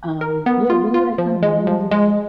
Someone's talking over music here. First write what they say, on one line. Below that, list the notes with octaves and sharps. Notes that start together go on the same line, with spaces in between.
um, yeah, really, like, kind of move
A#4
B3
F4
F4
F3
G#3
F3
G#3